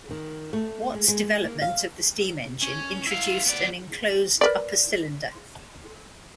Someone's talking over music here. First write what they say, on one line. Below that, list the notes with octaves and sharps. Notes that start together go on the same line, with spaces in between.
Watt's development of the steam engine introduced an enclosed upper cylinder.
D#3
A3
G#3
G#3
A#3
F5
C#4
E4 F5
B3 D5
A#4 B4 D5